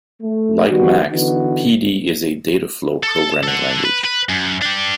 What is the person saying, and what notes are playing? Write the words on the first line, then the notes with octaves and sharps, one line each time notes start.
Like Max, Pd is a data flow programming language.
A3
D#3 G3 B3 F#4
D3 E3 B3 D#4 F#4
A4
A4 F#5
B4
B4
F#2
D4 G4